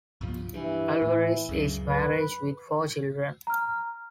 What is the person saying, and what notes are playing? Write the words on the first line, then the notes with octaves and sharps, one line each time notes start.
Alvarez is married with four children.
C2 G2 F3
G2 E3
A2
C#2 F#2 C#3
B4
A#5 F6